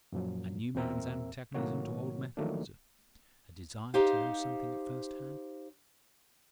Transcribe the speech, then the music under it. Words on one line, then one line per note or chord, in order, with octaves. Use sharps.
A new man's antagonism to old methods. A desire to know something at first hand.
F#2 A#2 F3 F#3
E2 A#2 C4 A#4 E5
A2 D#3 F#3 A#3 F#4 C#5
D#3 F3 F#3 A3 A#3 D4
D#4 G4 C5 F5